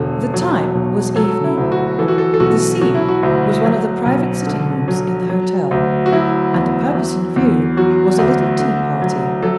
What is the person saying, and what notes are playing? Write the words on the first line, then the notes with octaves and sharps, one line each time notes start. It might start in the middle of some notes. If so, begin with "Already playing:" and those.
The time was evening; the scene was one of the private sitting-rooms in the hotel; and the purpose in view was a little tea-party.
Already playing: E1 D3 A4
F#3
B1
F#3 A4
E4
D2
F#4
E3 A4
F#4
A4
A4
B1 F#4
F#3 F#4
E4
F#4
D2
F#3
B1
D3
F#3
F#3
D2
F#4
F#3 E4
E2
F#3
E2
F#3 F#4
D2
D3
F#3
F#3 A4